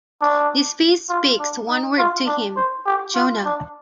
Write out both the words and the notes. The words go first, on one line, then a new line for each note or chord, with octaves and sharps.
This face speaks one word to him: "Jonah".
D4
F4
D4
D#4
F4
D4
C5
G4
F4
D4